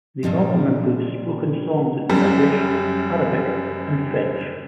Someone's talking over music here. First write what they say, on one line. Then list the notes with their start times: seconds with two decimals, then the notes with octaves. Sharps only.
The album includes spoken songs in Turkish, Arabic, and French.
0.23 A#2 F3 G3 G#3
2.10 F#2 G3